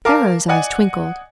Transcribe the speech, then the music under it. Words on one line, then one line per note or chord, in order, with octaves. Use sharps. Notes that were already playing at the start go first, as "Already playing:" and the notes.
Pharaoh's eyes twinkled.
A#4 F5 A5 D6 F6
D5 D#5 F#5 G#5